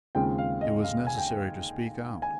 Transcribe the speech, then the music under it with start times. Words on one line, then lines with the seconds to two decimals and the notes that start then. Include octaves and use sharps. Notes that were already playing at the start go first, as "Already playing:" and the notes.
It was necessary to speak out.
0.15 D#2 C#3 G#3 C4 F4 G5
0.38 F5
0.61 D#5
0.84 F5
1.07 G#5
1.18 G5
2.22 G#5